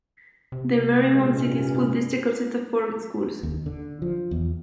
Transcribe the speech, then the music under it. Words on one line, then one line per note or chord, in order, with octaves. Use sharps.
The Mariemont City School District consists of four schools.
C3
A#2 G#3 C#4
G2
D#2
D3
F3
E2